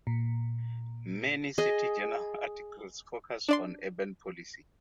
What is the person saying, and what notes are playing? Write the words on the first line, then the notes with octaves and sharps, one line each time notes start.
Many "City Journal" articles focus on urban policy.
A#2
G#4 D#5
D4 D5 C6